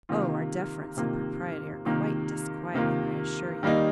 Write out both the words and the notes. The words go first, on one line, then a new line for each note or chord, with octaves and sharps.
Oh! our deference and propriety are quite disquieting, I assure you.
C3 D#3 A#3 F4
C3 D#3 A#3 F4
C3 D#3 A#3 F4
C3 D#3 A#3 F4
D#3 G3 A#3 D#4